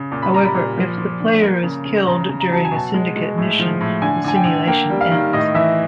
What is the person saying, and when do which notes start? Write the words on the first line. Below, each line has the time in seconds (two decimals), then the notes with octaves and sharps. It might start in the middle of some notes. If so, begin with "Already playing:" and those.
However, if the player is killed during a syndicate mission, the simulation ends.
Already playing: C#3
0.12 A#2
0.22 B5
0.33 G3 A#5
0.45 B5
0.54 A#2
0.77 F3
0.98 F3
1.20 D3
1.41 A#3
1.63 C#3
1.85 C#3
2.07 C#3 A#5
2.29 C#3
2.40 A#5
2.50 F#3 A5
2.65 G#5
2.72 B2
2.77 A5
2.94 G#3
3.16 G#3
3.38 A2
3.60 F3
3.81 A2
4.02 D3 G#5
4.24 D3 G#5
4.35 G5
4.45 D3
4.67 A#3 G5
4.90 G3
5.01 F5
5.11 D#3
5.33 A2 D#5
5.55 E3 E5